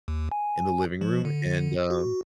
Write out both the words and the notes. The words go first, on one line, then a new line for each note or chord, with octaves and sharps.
in the living room, and, um
D#2
G#5
F3
D3
F#4